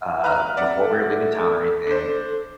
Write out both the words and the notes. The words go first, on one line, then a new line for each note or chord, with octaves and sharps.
uh, before we were leaving town or anything,
B4 A#5 F6
C4 D5 E5 F#5
A4
D4 C5